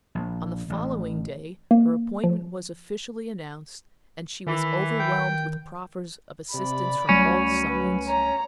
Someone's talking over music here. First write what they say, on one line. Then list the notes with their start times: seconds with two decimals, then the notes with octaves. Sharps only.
On the following day her appointment was officially announced, and she was overwhelmed with proffers of assistance from all sides.
0.15 A#1
0.70 A1
1.71 A#3
2.24 F3
4.47 D#3 E3
5.00 G5
6.54 C3 D5 B5
7.09 C#2 F#3 G3 A3 C#4
7.68 B4
8.06 C#5 A#5